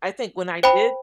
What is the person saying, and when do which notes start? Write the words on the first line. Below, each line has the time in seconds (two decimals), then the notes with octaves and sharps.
I think when I did
0.63 C5 G5 B5